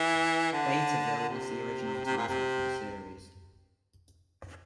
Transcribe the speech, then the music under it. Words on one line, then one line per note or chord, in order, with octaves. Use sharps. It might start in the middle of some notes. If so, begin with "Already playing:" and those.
"Betaville" was the original title for the series.
Already playing: E3
D3
C3
C3
A#2
C3